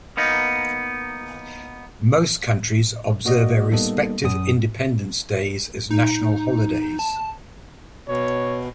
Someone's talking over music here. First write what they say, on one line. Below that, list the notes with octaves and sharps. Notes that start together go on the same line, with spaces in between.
Most countries observe their respective independence days as national holidays.
A#3 B3 D#4
A#3 F#4 D5 D#5
G3 A#3 B3 D#4 A4 D#5
F#2 D#6
D#4
A5
B2 C#5